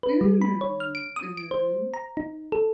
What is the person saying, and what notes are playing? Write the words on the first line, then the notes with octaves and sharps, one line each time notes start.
Mm, mhm.
B4
G3
B5
C#5
F6
D7
D#6
D7
C5
A#5
D#4
A4